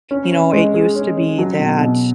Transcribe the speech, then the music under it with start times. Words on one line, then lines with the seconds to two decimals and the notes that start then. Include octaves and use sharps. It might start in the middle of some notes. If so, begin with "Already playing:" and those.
You know, it used to be that,
0.11 C#4
0.32 C#4
0.53 G#3
0.74 G#4
0.95 C#4
1.17 C#4
1.38 F#3
1.59 B2
1.80 B2